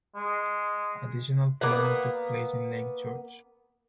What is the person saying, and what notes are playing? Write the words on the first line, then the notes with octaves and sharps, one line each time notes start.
Additional filming took place in Lake George.
G#3
A#3 B3 F#5